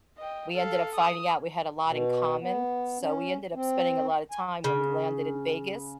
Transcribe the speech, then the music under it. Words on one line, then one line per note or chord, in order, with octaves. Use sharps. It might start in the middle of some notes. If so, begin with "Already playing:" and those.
we ended up finding out we had a lot in common, so we ended up spending a lot of time when we landed in Vegas,
D#5 G5
A4 F5
D#6
B2
B3
C#4
C4
G#5
C#3